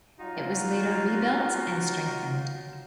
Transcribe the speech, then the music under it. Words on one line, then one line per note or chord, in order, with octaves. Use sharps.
It was later rebuilt and strengthened.
F#3 D#4 F4 F#4